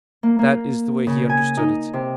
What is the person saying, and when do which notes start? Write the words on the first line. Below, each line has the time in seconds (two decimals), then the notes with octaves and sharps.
That is the way he understood it.
0.23 A#3
0.39 A#3
1.07 C#3
1.29 G#5
1.57 D#4
1.93 C3